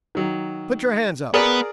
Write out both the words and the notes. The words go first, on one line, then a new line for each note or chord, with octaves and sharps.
"Put your hands up!"
D#3 F#3
B3 G#4 A#4 D5